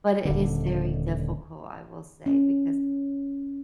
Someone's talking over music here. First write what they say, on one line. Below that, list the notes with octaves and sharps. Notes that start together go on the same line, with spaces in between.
But it is very difficult, I will say, because,
D#1 D3
C#4